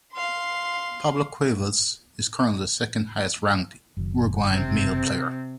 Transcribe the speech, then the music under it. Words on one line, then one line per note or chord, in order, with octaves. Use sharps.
Pablo Cuevas is currently the second highest-ranked Uruguayan male player.
F5 C6
F#1 D#3 F#3
C3 C4